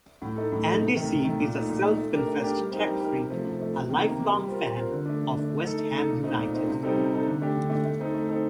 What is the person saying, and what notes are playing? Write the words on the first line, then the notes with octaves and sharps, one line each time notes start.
Andy C is a self-confessed tech freak, a lifelong fan of West Ham United.
A2
A3 D#4 A4
A2
A3 D#4 A4
C3
D#3 A3
C3
D#3 A3
A#2
A3 D#4
A#2
A3 D#4
A3
D4 G4 A#4
A3
D4 G4 A#4
G3
C4 D#4 G4 A#4
G3
C4 D#4 G4 A#4
C3
F3 A3
C3
F3 A3
C3
D#3 A#3
C3
D#3 A#3
G3
C4 F4 A#4
G3
C4 F4 A#4
D3
A3 D4
D3
A3 D4
A3
D#4 A4
A3
D#4 A4
A#2
A3 C4 D#4
A#2
A3 C4 D#4
C3
G3 C4 D#4 A4
C3
G3 C4 D#4 A4
D3
A3 D4 G4
D3
A3 D4 G4
A3
C4 D#4 A4
A3
C4 D#4 A4